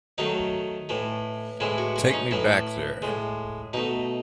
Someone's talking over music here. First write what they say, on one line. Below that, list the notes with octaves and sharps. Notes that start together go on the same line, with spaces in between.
Take me back there.
D#3 F#3 A3 D#4
A2 E3 A3
A2 E3 G#3 E4
F#4
F#4
C#4
D#4
A2 E3 A3 E4
A2 G#3
B2 A3 D#4